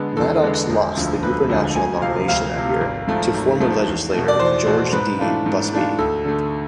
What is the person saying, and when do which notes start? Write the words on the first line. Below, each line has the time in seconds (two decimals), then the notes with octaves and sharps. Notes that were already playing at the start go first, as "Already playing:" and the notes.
Maddox lost the gubernatorial nomination that year to former legislator George D. Busbee.
Already playing: D3 G#3 B3
0.17 E2 A4
0.43 D3 G#3 B3
0.69 E1
0.96 D2 D3 F3
1.23 E1 B4
1.49 D2 D3 F3
1.76 D2 G#5
1.94 G#5
2.02 C3 F3 F5
2.28 D2 F5
2.55 C3 F3
2.81 G#1
3.07 G#2 F3 A3
3.34 G#1
3.60 G#2 F3 A3
3.87 E2
4.14 B2 A3
4.28 D5
4.40 E2 C5
4.67 B2 A3
4.93 G#2 B4
5.19 E3 A3 D4 F4
5.46 G#2
5.72 E3 A3 D4 F4
5.98 D2 A4
6.25 D3 A3